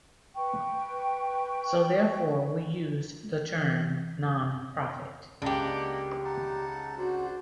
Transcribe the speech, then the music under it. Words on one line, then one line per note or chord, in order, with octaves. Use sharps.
So, therefore we used the term non-profit.
B4 G5 C#6
E3
C#2 A#3 D4 G4 D#5 F#5
D#4 F#5 A5
D4 F#4 C5